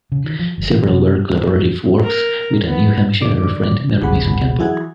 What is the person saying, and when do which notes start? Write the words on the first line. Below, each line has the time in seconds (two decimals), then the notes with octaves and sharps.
Several were collaborative works with a New Hampshire friend Mary Mason Campbell.
0.12 C#3
0.24 D#3
0.39 F3
0.58 G1
0.72 E3
0.91 C3
2.03 A#4
2.68 B3
3.21 D3 D#3 D5 D6
4.02 G#1 D2 C3 G#4 F#5 B5
4.58 E3 F#3 E4 G#4 F#5 G#6